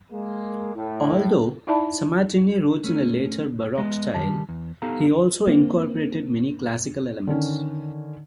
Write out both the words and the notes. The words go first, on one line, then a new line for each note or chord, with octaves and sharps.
Although Sammartini wrote in a later Baroque style, he also incorporated many Classical elements.
G#3 A#3
A2
D#4 E4 D5 E5 A5 B5
A3 C#4
G#3 B3 D#5
D#3 G3 A5
E2
B3 D#4 G4 A4 F5 A#5
A#3 C4
D3 D#3 C#4